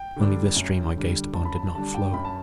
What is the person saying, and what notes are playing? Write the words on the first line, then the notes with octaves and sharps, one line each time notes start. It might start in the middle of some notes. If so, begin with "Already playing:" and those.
Only this stream I gazed upon did not flow.
Already playing: G5
D3 G3 D4
F#2
D3 G3 D4
F#2 A5
B5
A5
D3 G3 D4 A5
G5
F#2 B5
A5